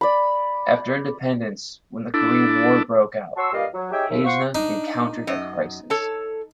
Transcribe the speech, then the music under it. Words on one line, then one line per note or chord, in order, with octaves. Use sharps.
After independence, when the Korean War broke out, Haeinsa encountered a crisis.
D5 B5
D4 E4 A4
F#4 C#5 A5 C6 C#6 E6
G2 A#2 G3 D5 D#5 F5
F#3
D#4 G4 G#4 C#5 E5 G5
D#2 E5
F4 C5 F#5 C6 C#6
D4 D#4
F#2 D#5
A4 C#5 A5